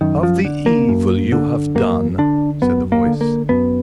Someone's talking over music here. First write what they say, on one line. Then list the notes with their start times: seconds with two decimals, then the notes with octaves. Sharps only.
"Of the evil you have done," said the voice.
0.01 F#2 D#3
0.23 F3
0.45 D3
0.66 A#3
0.89 F#2
1.32 D3
1.75 F#2 A#3
2.18 D3 D4
2.62 F#2 B3
2.92 A#3
3.06 D3
3.21 A#3
3.49 F#2 B3